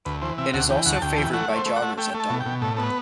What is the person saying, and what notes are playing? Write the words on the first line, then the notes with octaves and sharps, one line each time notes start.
It is also favoured by joggers at dawn.
D2 B4
E3 C5
C3 E5
D2 F#5
E3 G5
D2 F#5
A5
D2 G5
A5
E3 G5
A3 F#5
A3
C5
A3
F#5
A3
A3 G5
A3
A5
B2
G5
B2
A2 A4
B3 A4
B4